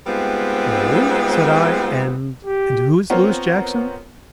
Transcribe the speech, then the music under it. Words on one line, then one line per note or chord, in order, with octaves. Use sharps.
"Oh," said I; "and--and who is Louis Jackson?"
G3 G#3 B3 C4 D#4 F4
G4
B3 C4 F4 A#4 C5 C#5